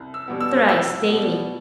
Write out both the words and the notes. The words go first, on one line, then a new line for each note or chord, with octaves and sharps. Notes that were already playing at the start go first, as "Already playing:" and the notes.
Thrice daily.
Already playing: C2
E6
B2 G3 B3
E6
C2 E6
B2 G3 B3